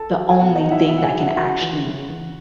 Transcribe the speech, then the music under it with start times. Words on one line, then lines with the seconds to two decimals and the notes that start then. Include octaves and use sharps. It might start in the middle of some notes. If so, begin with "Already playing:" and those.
the only thing that can actually
Already playing: A4 A5
0.15 F#3
0.30 G#5
0.39 B2 F#4 F#5
0.55 D#4 D#5
0.64 F#3 F#5
0.71 E4 E5
0.88 B2 E4 E5
0.98 F#5
1.03 G#4 G#5
1.12 F#3
1.21 F#5
1.29 E5
1.36 C#3 F#4 F#5
1.61 E3
1.85 C#3
2.08 E3